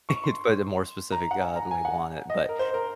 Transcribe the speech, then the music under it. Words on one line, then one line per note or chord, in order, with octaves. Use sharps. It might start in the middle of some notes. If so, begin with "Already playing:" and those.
to put a more specific, uh, label on it. But
C#6
C6
A#5
F#5
G#5
A#5
G#5
F#5
D#5
A#4
C5
A#4